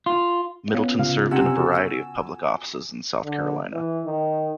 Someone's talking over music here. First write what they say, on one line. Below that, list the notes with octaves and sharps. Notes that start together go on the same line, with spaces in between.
Middleton served in a variety of public offices in South Carolina.
F4
B3 C#4 F4
C#3 F5
C3 F#5 G#5 E6
F#4 A4
D3
E3
D#3